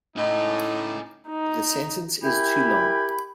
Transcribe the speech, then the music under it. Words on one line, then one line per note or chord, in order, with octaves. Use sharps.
The sentence is too long.
A2 C#4 D#4 D#5
D#4
E4 G4 A#4 G5 G#5 B5